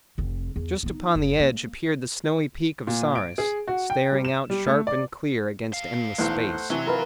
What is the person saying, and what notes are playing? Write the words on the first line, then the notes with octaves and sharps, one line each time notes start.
Just upon the edge appeared the snowy peak of Saris, standing out sharp and clear against endless space.
F1 C4
E2
B3 D#4
F#1
A#3
A#2
D7
G#4
F#4
G5
G3
E7
G3
A3
D5
G2 F5
B1 E2 E3 A3 C5 F#5
C3 E3 F#3 D4 F#4 G#5
F4 A#4 B4 F5